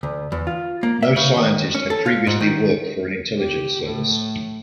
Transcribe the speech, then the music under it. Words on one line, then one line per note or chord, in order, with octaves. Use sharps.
No scientist had previously worked for an intelligence service.
D2
E2
F4
A#3
E5
C#3
D#3
C#4
A4
F4
G#2
D#3
G4
A2